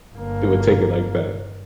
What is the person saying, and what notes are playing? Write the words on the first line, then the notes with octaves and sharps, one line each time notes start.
they would take it like that.
G1 A#3